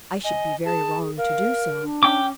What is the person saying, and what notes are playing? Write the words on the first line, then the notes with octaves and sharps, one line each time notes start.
I should be very wrong to do so.
D#5 G#5
G#4 A5
A#4 F5
D4
C#4 G5 D6